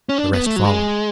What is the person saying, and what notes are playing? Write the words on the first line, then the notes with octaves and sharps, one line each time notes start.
The rest followed.
C#4
D4
B3
A3
F#3
G#3